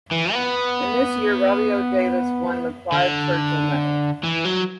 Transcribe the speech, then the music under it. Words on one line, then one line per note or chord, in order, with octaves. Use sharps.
In this year Robbie O'Davis won the Clive Churchill Medal.
E3
B3
D3
E3
F#3